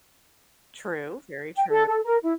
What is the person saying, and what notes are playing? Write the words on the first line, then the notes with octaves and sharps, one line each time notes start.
True. Very true.
G5
A4
A4
A#4
E4